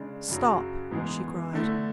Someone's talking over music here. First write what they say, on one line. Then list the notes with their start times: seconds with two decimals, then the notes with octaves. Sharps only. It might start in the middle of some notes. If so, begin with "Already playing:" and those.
"Stop!" she cried.
Already playing: C#3 G#3 D4
0.28 F#2 C#3 F#3
0.91 G#2 E3 G#3 B3
1.53 D3 A3 E4